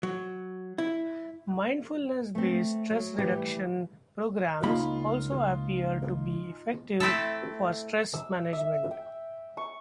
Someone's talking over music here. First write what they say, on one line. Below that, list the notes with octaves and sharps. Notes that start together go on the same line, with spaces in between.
Mindfulness based stress reduction programs also appear to be effective for stress management.
F#3
E4
A3 C4
F#3
E3 G3 A3 G4
C#2 A#3 D#4 F4 B5
A3 C4 E4 A4
E6
E5
G5
C#6